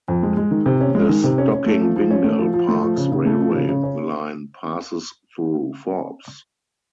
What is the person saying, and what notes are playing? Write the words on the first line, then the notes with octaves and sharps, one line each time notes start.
The Stockinbingal-Parkes railway line passes through Forbes.
F2
G#3
G#3
D#3
C3
C#4
G#3
D#3
C3
C#4
C#4
A3
F3
F3
C#4
A3
F3
F3
A3
F3
C#3
C#3
A3
F3
C#3
C#3
C#4